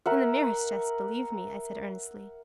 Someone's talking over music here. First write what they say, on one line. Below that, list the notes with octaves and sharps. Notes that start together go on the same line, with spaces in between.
"In the merest jest, believe me!" I said earnestly.
A#4 E5 F#5